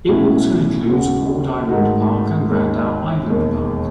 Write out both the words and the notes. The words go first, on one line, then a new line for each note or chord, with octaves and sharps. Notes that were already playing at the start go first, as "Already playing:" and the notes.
It also includes Ward Island Park and Randall Island Park.
B1 A2 F#3 C#4 E4
D#2 C#3 F#3 C#4 F#4
G#2 D#3 A3 D#4 F#4
D#2 D#3 G#3 D#4
E1 D#2 D#3